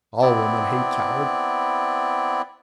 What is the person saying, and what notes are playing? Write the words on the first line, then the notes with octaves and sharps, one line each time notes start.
All women hate cowards.
B3 C4 E4 D5